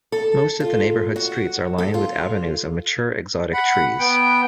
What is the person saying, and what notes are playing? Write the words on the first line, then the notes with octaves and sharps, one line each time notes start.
Most of the neighbourhood's streets are lined with avenues of mature exotic trees.
A4
F4
F#4
A4
F4
F#5 B5
B3 G5